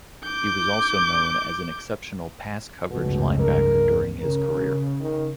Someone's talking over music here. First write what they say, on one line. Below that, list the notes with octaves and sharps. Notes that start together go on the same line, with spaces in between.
He was also known as an exceptional pass-coverage linebacker during his career.
D6 G6
F1 C#2 G2 B2
A#4
C#3 A#4
D#3